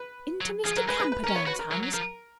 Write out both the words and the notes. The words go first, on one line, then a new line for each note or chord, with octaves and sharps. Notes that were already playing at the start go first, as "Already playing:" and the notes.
"Into Mr. Camperdown's hands!"
Already playing: B4
F#3
F3 G#4
F#3 A#4
G#3 B4
B4
B4
C#4 A#4
B3 C#5
F#4 B4
A#4
F#3 A#4
F#3
F3 A#4